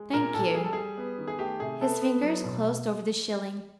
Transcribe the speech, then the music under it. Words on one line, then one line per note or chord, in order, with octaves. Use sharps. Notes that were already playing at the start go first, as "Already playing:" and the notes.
"Thank you," his fingers closed over the shilling.
Already playing: G#3
A#2 A#4
A#2 A4
G3 G#4
A4
G3 G#4
B3
D#3
G#4
A3 G4
C3 G#4
B3 A4
B3
F#3
B2